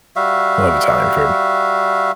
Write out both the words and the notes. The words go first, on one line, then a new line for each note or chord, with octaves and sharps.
I love Italian food.
G3 F#4 E5 F5